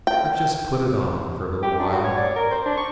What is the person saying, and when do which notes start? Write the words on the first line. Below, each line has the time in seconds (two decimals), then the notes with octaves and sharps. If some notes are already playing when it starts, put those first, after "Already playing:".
I've just put it on for a little while.
0.07 G5
1.63 G4
1.80 D4
1.93 F#4
2.04 C#5
2.17 D5
2.36 A#4
2.51 C5
2.66 D4
2.78 C#6